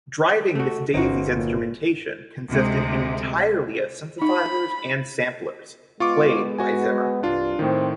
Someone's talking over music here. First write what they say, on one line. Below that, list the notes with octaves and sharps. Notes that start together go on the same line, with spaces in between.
"Driving Miss Daisy"'s instrumentation consisted entirely of synthesizers and samplers, played by Zimmer.
A3 F#4
G1 C#4 D#4 F#4 C5
A#2
D2 C3 G#3
D#4 B5
G#3 B3 F4 C#6 D6
F#4 G#5
C2 G2 D4 F4
A2 D#3 C4